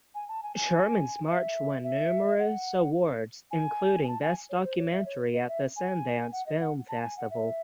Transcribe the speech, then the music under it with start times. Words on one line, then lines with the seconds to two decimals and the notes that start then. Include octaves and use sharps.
"Sherman's March" won numerous awards, including Best Documentary at the Sundance Film Festival.
0.15 G#5
0.28 A5
0.43 G#5
0.56 G#5
1.27 E5
1.84 E5
2.39 F#5
3.51 G#5
4.04 G#5
4.08 A5
4.22 G#5
4.50 C#5
4.64 C5
4.78 C#5
4.92 E5
5.06 C#5
5.34 D#5
5.48 E5
5.76 G#5
6.32 F#5
6.46 D#5
6.61 F#5
6.89 A5
7.02 G#5
7.17 F#5
7.31 E5